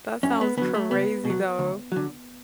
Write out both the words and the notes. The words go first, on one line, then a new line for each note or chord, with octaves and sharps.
That sounds crazy, though.
F#2 C#4
B3
D3 F#3 B3
A3
C#2 B3
B2
F#3
D2
D3 F#3